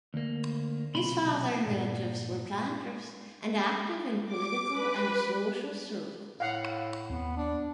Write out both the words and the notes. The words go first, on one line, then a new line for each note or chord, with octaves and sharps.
His father and relatives were planters and active in political and social circles.
D2 A#3
B1 C3 B5 C6
G2 A#2 G3
D6
B4
A2 F5 F#5
D#2 B3 C4
D4